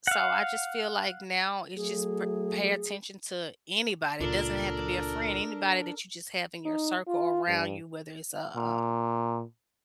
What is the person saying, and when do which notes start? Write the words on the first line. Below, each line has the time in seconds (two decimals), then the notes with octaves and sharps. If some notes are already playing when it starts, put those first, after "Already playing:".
So, I just feel like now it's just pa pay attention to anybody. It doesn't have to be a friend. Anybody that you just have in your circle around you, whether it's a a
0.07 F5 F#5
1.76 F#3 A3 G#4
4.21 C#2 A#2 D4 F4 A4 A#4
6.65 D#4
7.07 F4
7.48 G2
8.56 A#2